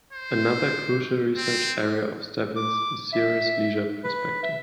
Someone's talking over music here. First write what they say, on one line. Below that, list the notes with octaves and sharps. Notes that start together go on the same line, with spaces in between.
Another crucial research area of Stebbins is serious leisure perspective.
C5
C4
D6
E5
B4
E5